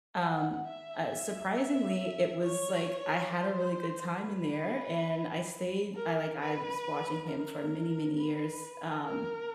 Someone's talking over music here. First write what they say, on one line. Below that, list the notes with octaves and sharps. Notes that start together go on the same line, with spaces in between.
um, uh, surprisingly, it was, like, I had a really good time in there, and I stayed I, like I was watching him for many, many years. Um,
F#5
E5
E5
C#5
C5
B4
A#4
B4
A#4
B4
A#4